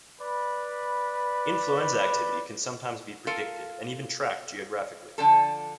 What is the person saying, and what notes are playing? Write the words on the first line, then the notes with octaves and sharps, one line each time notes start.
Influenza activity can sometimes be predicted and even tracked geographically.
B4 D5 B5
F4 A4 A#4 F5
D3 F3 A4